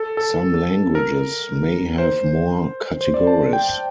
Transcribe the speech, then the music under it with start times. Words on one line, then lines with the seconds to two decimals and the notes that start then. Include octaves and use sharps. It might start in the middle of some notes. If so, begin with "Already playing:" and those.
Some languages may have more categories.
Already playing: A4
0.17 A4
0.95 A#4
1.98 C5
3.01 C5
3.14 D5
3.27 A5
3.53 G5